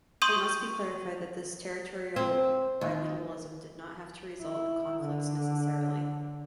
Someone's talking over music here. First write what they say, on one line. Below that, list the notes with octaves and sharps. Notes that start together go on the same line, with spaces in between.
It must be clarified that this territorial bilingualism did not have to result in conflicts necessarily.
C6 C#6 D#6 G6 D#7
C4
D#2
E4
D3